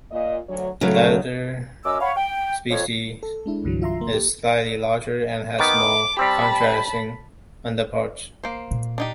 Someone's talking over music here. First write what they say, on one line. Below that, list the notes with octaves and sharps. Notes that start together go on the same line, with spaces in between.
The latter species is slightly larger, and has more contrasting underparts.
A#2 D#5
D2 F#3 C#5
C#3 F#3 A3
F#2 C#4 D#5 D6 E6
C#5 F5 F#5 B5
G5
F2 C#5
A4
G#3 D4 E4
C2 G2 D3 E3 F#3
F4 E5 A#5 C6
A#3
G4
D#3 B3 D6
G3 C4 G4 A5 B5
A#3 C5
A#2
D4 D#4 G4